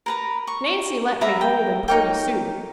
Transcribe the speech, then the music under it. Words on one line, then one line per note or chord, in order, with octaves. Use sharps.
Nancy let me hold him purty soon.
A#4 B4 A#5
C#6
A#4 B4 E5 A#5
G5
D#4 C#5 G5